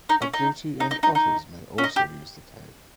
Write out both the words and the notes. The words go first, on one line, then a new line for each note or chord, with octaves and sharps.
Agouti and otters may also use the cave.
D#4
C#4
D#4
D#4
D#4
D#4
D#4
C#4
D#4
G4